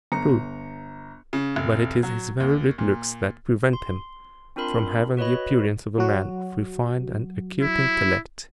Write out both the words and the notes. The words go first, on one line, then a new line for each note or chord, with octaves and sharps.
"True, but it is his very good looks that prevent him from having the appearance of a man of refined and acute intellect."
G1 A#5 C#7
C#3
F1
F#3
D#2
A#2
C6
C4 D4 F4 A#4 B5 C6
F#4 B4 C#5 D#5 B5
F#3 F#4
E4